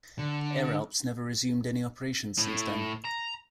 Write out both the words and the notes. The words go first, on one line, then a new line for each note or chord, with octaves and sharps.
Air Alps never resumed any operations since then.
D3
A2
A#5